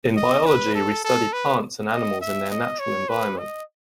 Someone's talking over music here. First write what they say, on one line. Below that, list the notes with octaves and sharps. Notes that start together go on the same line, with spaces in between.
In biology we study plants and animals in their natural environment.
D#5
B4
A4
A4
B4
D#5
E5
D#5
C#5
B4
D#5